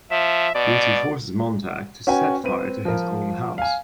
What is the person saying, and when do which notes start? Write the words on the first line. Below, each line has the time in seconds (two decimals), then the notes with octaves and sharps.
Beatty forces Montag to set fire to his own house.
0.11 F3 E5
0.55 B2 D5
2.07 C#4 F#4 B4 G5 G#5
2.44 C4 B4 D#7
2.85 F3 A#4
3.58 F5 G#5